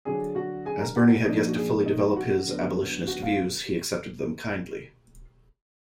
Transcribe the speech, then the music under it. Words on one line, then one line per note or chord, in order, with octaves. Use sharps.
As Birney had yet to fully develop his abolitionist views, he accepted them kindly.
D3 F#3 D4 G#4 G#5
F#4 F#5
G#4 G#5
A#4 A#5
F#4 F#5
A#2 F3 A#3 D4 D#4 D#5
F#4
G#4
D#4 D#5
F#4 F#5
D2 D3 F#3 B3 D4
F#4 F#5
F4 F5